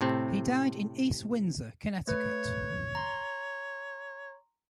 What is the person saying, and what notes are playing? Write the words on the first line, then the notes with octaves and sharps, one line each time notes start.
He died in East Windsor, Connecticut.
A2 C3 C4
A3 B4 C#5
A#5 C6